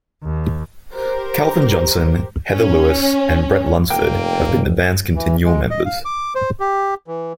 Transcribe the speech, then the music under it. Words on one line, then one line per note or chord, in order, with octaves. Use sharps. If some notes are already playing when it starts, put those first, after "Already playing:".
Calvin Johnson, Heather Lewis, and Bret Lunsford have been the band's continual members.
D#2
G4 A#4 C5
C#4
F1 A#3 G5
E3
G#3
D#5
F5
D6
C5
G4
E3